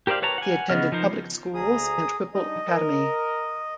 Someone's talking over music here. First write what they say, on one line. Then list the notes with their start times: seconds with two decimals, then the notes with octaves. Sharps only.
He attended public schools and Whipple Academy.
0.07 G4 A#4 C5 D5 F5
0.22 B4 C#5 A5 A#5
0.38 F#5 G#5
0.70 C#3 B3 D#5 F6
0.92 F3 D#4 A#4 C5
1.54 D2 G#4 A#5 D#6
2.34 G3 D4 D#4 D#5
2.67 A#4